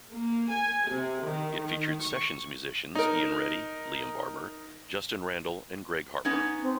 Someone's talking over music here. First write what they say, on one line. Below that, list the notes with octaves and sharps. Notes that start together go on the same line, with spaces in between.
It featured session musicians Iain Reddy, Liam Barber, Justin Randall and Greg Harper.
A#3
G#5
C3
D#3
D#3
C#6
D#4 A#4
B3 C#4 D#4
C4